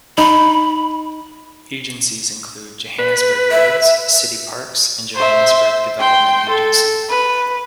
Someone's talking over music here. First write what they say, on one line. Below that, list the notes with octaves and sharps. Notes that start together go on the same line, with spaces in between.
Agencies include Johannesburg Roads, City Parks and Johannesburg Development Agency.
D#4 B5
B4
E5
C5 E5
G5 C6
A4
B4